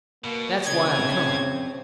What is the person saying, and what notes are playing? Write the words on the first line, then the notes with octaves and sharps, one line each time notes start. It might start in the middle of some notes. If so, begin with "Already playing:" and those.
That's why I come.
B2 A#3
C#3 G#6
C4